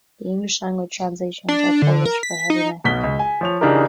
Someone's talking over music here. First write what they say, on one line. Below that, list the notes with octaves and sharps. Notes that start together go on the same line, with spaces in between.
The English language translations are published by "Heavy Metal".
D4
D3
A#4
B6
D#4
B1 B2 B6 G7
C#2
G#5
F3 C#5 F7
C#3 E3 D4 D#4 G4 A#4